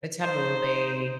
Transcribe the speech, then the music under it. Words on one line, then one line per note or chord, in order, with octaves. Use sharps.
the tabbouleh,
D#4 C5